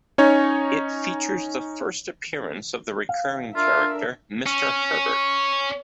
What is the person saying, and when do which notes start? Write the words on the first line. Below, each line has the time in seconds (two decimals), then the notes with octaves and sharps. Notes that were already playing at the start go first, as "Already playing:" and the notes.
It features the first appearance of the recurring character Mr. Herbert.
0.18 C#4 D#4 C#5
3.09 F5
3.56 D4 F4 A#4 E5
4.46 C#4